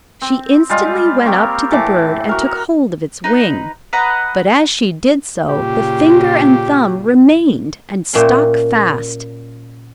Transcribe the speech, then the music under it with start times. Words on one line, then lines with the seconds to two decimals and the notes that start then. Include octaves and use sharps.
She instantly went up to the bird and took hold of its wing, but as she did so, the finger and thumb remained and stuck fast.
0.22 C4
0.69 G3 G#3 F4
1.25 A#3 C4 G4 C#5
1.72 A2 E3 A5 D6
2.29 F#4 A#4
2.41 A#4
3.24 D#4 B4
3.93 B4 D#5 F#5 A#5
5.49 A#2 C#3 G4
8.13 A#2 C#4 E5 G5 A5 C6